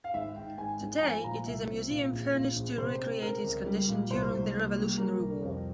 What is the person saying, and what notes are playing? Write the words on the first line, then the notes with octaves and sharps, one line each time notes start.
Today, it is a museum furnished to recreate its condition during the Revolutionary War.
F5
G#1 E5
G#1 G5
G#1 G#5
G#1
A#5
F3 G#5
A#2 A#5
C2 E5
C4
A#2
A#1
A#2
A#1
C3 C5
C4
C4 A#4
C#2
G3
A#2
C2 C5
C2
A#3
G3
G3 A#4
C2
F2